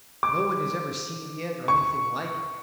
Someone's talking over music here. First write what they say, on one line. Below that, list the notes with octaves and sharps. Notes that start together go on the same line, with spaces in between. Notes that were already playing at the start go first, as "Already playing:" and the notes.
No one has ever seen it or anything like it.
D6
C#6